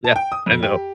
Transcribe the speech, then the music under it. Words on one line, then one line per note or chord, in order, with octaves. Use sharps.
Yeah, I know.
A5
G5
D#6
F2
G4